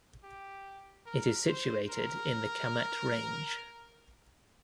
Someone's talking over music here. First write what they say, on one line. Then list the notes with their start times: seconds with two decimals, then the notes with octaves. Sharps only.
It is situated in the Kamet range.
0.23 G4
1.06 A#4
1.48 C5
1.90 A#4